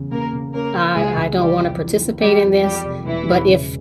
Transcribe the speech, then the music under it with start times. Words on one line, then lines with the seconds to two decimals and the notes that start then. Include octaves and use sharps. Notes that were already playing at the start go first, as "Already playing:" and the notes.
"I I don't wanna participate in this," but if
Already playing: E2 C#3
0.12 C#3 A#3 A#4
0.33 C#3
0.54 A#3 C#4 A#4
0.75 C#3
0.95 C#2 G#3 G#4
1.17 C#2
1.37 E3 G3 G4
1.59 F2
1.80 E4
2.01 E3
2.22 G3 G#3 G4
2.43 F2
2.64 F2 G3 G4
2.85 F1
3.06 E1 E3 E4
3.28 E1
3.48 C#3